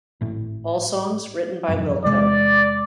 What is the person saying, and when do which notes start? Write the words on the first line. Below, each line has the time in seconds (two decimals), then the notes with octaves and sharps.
All songs written by Wilco.
0.21 G#1 A2
1.68 E1 A1 F#2
2.05 E2 C3 G#3 D5